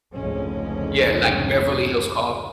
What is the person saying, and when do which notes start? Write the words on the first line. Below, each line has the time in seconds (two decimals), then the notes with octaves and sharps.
Yeah, like Beverly Hills Cop.
0.14 F1 C#2 G#2 D3 G#3 C#4